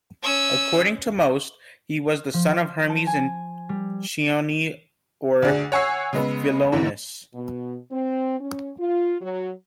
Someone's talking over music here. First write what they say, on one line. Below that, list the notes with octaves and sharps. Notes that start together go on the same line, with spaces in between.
According to most, he was the son of Hermes and Chione or Philonis.
C#4 E6
F3
A5
G#5
G3
D2 D4 G#4
C#5 F#5 G#5 C#6 E6 C7
C#3 G#3 B3
G#2 D3 E3
B2
C4
C#4
F4
F#3